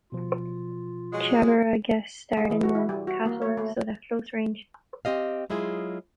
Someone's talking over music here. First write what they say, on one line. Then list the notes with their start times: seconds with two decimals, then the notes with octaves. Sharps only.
Chavira guest starred in the "Castle" episode "At Close Range".
0.12 B2 F3 F4
1.12 F#3 G#3
2.37 G#3
2.50 E3
2.63 F#4
2.75 E4
2.89 G3
3.07 F#4
3.26 A#3
3.42 C#5
3.57 A3
5.05 C4 G4 D#5 F5
5.50 F#3 G#3 E4 F4 G#4